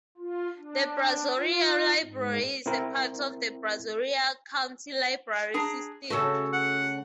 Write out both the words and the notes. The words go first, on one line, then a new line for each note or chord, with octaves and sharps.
The Brazoria Library is a part of the Brazoria County Library System.
F4
D4
F4
G#2
C4 E4 A#4
D4 G#4 A#5
C#3 A3 F#4 A4
F#5